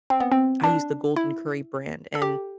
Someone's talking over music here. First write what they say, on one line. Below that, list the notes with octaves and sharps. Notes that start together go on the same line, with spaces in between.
I use the Golden Curry brand, and
C4
B3
C4
D4
E4
A4
G4